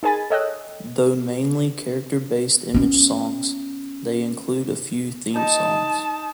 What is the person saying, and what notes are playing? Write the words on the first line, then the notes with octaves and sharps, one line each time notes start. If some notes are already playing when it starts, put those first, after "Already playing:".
Though mainly character-based image songs, they include a few theme songs.
D#4 G#4 A#4 G#5 B5 A6
A4 C#5 D#5 G5 E6 F#6
B3 C#4
D#4 A5